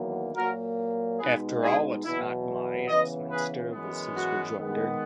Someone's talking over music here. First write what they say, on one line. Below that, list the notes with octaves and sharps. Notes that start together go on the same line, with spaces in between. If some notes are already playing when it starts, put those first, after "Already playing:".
"After all, it's not my Axminster," was his rejoinder.
Already playing: E2 D#3 F#3 A#3
A#2 F#3 A#3 F#4 A#4
B2 G#3 D#4 G#4 B4
E4 G#4
E2 B2 F#3 E4
C#3 E3 B3 B4 D#5
G#4 B4
F#2 E3 G#3 B3
F#4
D#3 G#3 B3